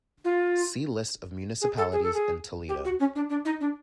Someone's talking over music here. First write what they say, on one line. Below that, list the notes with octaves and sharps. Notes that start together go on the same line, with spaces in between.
See List of municipalities in Toledo.
F4
G#4
A4
G#4
A4
G#4
G4
F#4
C#4
D4
D4
D#4
D4